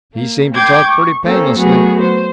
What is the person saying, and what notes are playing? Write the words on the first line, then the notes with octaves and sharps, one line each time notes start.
He seemed to talk pretty painlessly.
A#3
G5 C6 D6 G6 G#6
C#6
A#3 C4 C#4 A4
F#3 A3 B3 F#4 G#4
C5